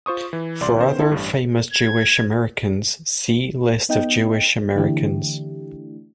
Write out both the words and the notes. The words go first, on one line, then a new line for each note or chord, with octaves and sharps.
For other famous Jewish Americans, see List of Jewish Americans.
F4 C5 C#6 D#6
E3
C2 D5 C6
D#3 B3 C#4 C5
E4 A4
A1 G2
G#6
B3 D#4 D#5 G5
D3 E3 A3 D4 E4 G4